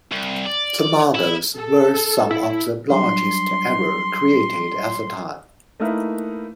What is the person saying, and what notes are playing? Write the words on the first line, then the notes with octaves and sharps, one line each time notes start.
The models were some of the largest ever created at the time.
C2
D5
E4
A4
E4
F#3 G3 D4 C6
A3 A#3 D#4 E4 A#4 B4